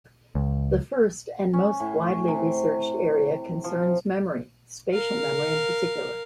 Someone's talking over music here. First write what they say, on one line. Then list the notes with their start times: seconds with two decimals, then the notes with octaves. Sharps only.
The first and most widely researched area concerns memory, spatial memory in particular.
0.35 C#2
1.53 C#4
1.80 A2
2.28 C3
3.64 F3
4.94 A#4 F5